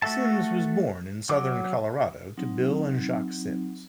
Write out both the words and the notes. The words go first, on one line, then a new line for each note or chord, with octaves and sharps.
Simms was born in southern Colorado to Bill and Jacque Simms.
A3 F#4 A4 E5 A5
F#3 D6
F#3 C4 D#4